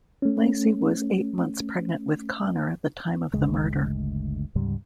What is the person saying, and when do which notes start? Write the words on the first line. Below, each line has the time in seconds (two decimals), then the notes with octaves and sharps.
Laci was eight months pregnant with Conner at the time of the murder.
0.22 A3 C#4
3.34 G1 D2 C#3 G#3
4.55 D2 G#2 C#3 G3